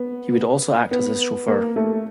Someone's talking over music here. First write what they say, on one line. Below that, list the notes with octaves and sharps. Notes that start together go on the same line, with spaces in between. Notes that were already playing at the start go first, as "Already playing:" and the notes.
He would also act as his chauffeur.
Already playing: B3
B3
A#3
A3